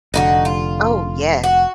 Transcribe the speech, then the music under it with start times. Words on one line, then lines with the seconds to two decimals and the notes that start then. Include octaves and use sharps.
Oh, yes.
0.14 F1 D3 D#4 E4 F#4
0.45 F4
1.44 F#4